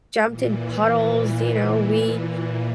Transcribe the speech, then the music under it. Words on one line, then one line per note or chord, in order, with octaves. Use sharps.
jumped in puddles, you know, we
A#2 E3